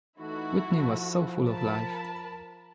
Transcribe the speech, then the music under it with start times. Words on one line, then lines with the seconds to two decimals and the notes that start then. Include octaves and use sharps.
Whitney was so full of life.
0.18 E3 A3 D#4 E4 F#4 A4
0.73 F3
1.46 A#4 A5 B5